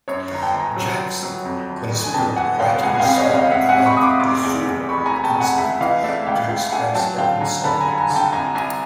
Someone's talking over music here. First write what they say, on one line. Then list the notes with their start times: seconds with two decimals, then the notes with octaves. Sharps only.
Jackson considered writing a song about the Super Bowl incident to express her concerns.
0.08 F#2 C#5
0.31 G1 A#5
0.42 G5 A5
0.54 G1
0.59 G#5 A#5
0.76 F#3
0.99 G1
1.23 F#3
1.45 F2
1.68 G1
1.91 G1
2.04 G#5
2.14 F2 G5 A5
2.36 G1 F#5 G#5
2.59 G1 F5 G5
2.82 C#2 F#5 G#5
2.95 G#5
3.00 F5 G5
3.05 C3
3.16 C#5 D#5
3.29 C3
3.34 D#5 F5
3.51 C3 E5 F#5
3.69 F#5 G#5
3.74 C3
3.86 B5 C#6
3.97 C3 D#6
4.03 C6 D6
4.20 F1 C6 D6
4.43 E2
4.67 E2
4.89 F1 B5 C#6
5.06 G#5 A#5
5.11 F1
5.24 G5 A5
5.34 F1
5.40 F#5 G#5
5.57 C#2 E5 F#5
5.80 E3 D#5 F5
6.03 A3 D5 E5
6.26 C#2 F5 G5
6.49 C#2 F5 G5
6.72 A3 F#5 G#5
6.94 F#3 G5 A5
7.17 D3 F5 G5
7.41 D3 G#5 A#5
7.64 D3 A5 B5
7.80 G#5 A#5
7.87 G2
7.98 G#5 A#5
8.10 D3
8.16 G5 A5
8.32 C2 G#5 A#5
8.55 C2 G#5 A#5